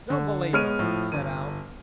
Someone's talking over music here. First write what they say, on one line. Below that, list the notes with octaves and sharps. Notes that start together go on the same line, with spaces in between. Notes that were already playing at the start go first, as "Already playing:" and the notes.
"Don't believe 'em," said Alf.
D3
G#3 B3 C#5 F6 D7 D#7
A2 F3
G1 D#7